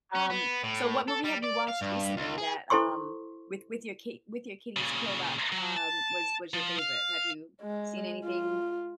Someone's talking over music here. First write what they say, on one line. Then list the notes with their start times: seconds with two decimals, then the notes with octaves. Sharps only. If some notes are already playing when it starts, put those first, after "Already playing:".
um so, what movie have you watched recently that, um with with your kit with your kitties curled up, um, was was your favorite? Have you seen anything
0.15 C#4
0.30 B3
0.63 A2
1.08 A4
1.24 G3
1.43 D5
1.67 F5
1.81 G2
2.17 C#2
2.38 G#4
2.70 E4 A4 C5 C6 C#6
4.76 A#2 C#3
5.52 F#3
5.76 A5
6.54 F3
6.79 F5
7.62 G#3
8.23 F4